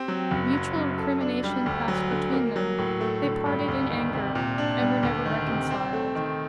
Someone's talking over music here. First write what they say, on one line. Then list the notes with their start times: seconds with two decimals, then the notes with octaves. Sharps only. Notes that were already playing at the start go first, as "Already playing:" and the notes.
Mutual recrimination passed between them: they parted in anger, and were never reconciled.
Already playing: C4 G4
0.08 F#3
0.31 F#1
0.53 F#3
0.76 F#2
0.98 A4
1.21 D4
1.43 G3
1.66 D2
1.88 F#3
2.11 D3
2.33 A#3
2.56 F#3
2.78 A2
3.01 A3
3.23 D3
3.46 G2
3.68 D2
3.91 D#3
4.13 C3
4.35 A#2
4.58 D4
4.80 G3
5.03 D2
5.26 D#3
5.47 C3
5.70 C4
5.93 A3
6.15 D#3